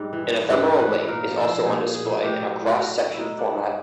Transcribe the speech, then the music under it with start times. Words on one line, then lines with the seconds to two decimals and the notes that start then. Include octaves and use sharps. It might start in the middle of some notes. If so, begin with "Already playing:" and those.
An ephemeral lake is also on display in a cross section format.
Already playing: G#2 G3
0.13 E3
0.31 E3
0.50 G#2 B4
0.70 E3
0.79 B4
0.89 G#2
1.08 A#2 A#4
1.27 F3
1.37 A4
1.47 F3
1.65 A#2 G#4
1.85 F3
1.94 G#4
2.04 A#2
2.23 A2 G4
2.42 F#3
2.61 A2
2.80 F#3 F#4
3.00 F#3
3.14 A2 D#4 E4
3.37 G3 D4
3.57 G#2